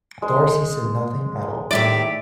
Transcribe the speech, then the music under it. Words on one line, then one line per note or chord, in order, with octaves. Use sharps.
Darcy said nothing at all.
G#3 C5
D#2 A2 G4 D5 E5